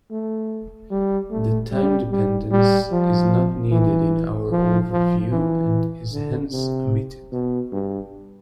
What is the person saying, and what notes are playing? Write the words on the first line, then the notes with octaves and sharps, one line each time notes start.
The time dependence is not needed in our overview and is hence omitted.
A3
G3
A3
G3
G3
G3
F3
E3
F3
F3
E3
D3
C3
B2
G2